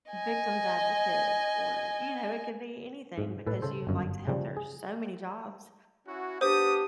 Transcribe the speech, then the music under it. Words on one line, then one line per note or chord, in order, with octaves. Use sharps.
victim's advocate or, you know, it could be anything because you like to help, there are so many jobs
D#5 G#5
G#2
A2 A4 B4 A5
C#3 A4 C5
G1 F#2
C#3 F3 G3
G#4
C#4 E4 F#4
B3 D4 G4 C5 A5 D6 D#6